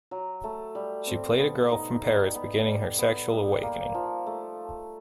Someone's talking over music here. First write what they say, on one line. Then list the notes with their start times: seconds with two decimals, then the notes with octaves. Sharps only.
She played a girl from Paris beginning her sexual awakening.
0.11 F#3
0.44 A3
0.75 G3
1.07 C4
1.39 B3
1.71 D#4
2.03 G3
2.35 B3
2.66 G3
2.98 B3
3.31 G3
3.63 A#3
3.94 F3
4.27 A3